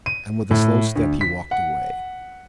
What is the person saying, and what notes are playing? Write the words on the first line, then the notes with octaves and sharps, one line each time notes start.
And with a slow step he walked away.
D#7
A2
D2
B6
F#5